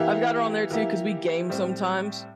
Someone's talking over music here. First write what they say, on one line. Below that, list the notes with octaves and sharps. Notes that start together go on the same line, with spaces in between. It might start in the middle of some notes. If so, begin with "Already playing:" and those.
I've got her on there too 'cause we game sometimes.
Already playing: E3 A#3 E4 G4
E3 A#3 E4 G4
A2 G3 C4